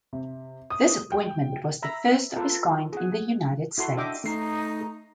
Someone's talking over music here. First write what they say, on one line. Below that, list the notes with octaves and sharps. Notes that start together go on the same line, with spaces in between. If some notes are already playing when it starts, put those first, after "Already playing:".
This appointment was the first of its kind in the United States.
C3
D#6
G5
E5 A#5 B5
F4 A4 B4
G#4 F#5
E4 F#4 A4 C6
D4 D#5 E5 G5 D6
A3 D#4 C7